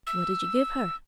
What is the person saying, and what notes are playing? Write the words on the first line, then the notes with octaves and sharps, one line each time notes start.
'What did you give her?'
E6